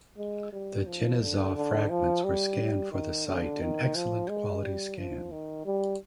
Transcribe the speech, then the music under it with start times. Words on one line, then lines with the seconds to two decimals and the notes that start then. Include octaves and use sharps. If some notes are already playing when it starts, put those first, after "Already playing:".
The genizah fragments were scanned for the site in excellent quality scan.
0.18 G#3
0.53 G3
0.86 F3
1.22 D3
1.56 D3
1.90 F3
2.24 G3
2.92 D#3
3.26 D3
3.61 D#3
3.95 F3
4.29 G#3
4.63 G3
4.98 F3
5.32 D#3
5.66 G3